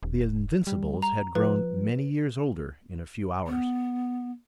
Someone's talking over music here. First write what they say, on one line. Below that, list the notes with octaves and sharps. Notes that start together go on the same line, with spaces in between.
The Invincibles had grown many years older in a few hours.
D#1
G3
A#5
F3 B4
B3